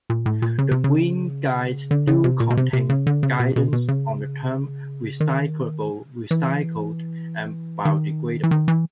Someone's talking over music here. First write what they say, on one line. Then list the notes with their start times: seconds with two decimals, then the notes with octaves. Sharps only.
The Green Guides do contain guidance on the term recyclable, recycled and biodegradable.
0.10 A#2
0.26 A2
0.42 A#2
0.58 C#3
0.71 C3
0.84 C#3
1.91 D3
2.07 C#3
2.24 C3
2.40 A#2
2.50 B2
2.57 C3
2.73 C3
2.89 C#3
3.07 D3
3.23 C#3
3.40 B2
3.56 B2
3.73 B2
3.88 C#3
5.20 D#3
6.31 E3
7.85 D#3
8.43 E3
8.51 D#3
8.68 E3